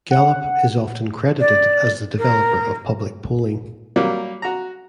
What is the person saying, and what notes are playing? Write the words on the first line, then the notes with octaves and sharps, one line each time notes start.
Gallup is often credited as the developer of public polling.
F#5
D5
A#4
F#3 G3 A#3
F#4 A#5